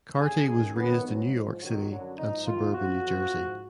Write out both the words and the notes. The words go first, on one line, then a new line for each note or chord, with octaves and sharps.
Carty was raised in New York City and suburban New Jersey.
D#2 D3 F#3 G#4
F#2 D#3 F#3 G#4
F2 D#3 F#3 B3
G#2 F#3
G#2 F3
F2 D#3 F#3
F#2 D3 F#3
G#2 F3 D#4
D#2 D#3 F#3 F4
F2 F3 F#4
F2 F3
G#2 F3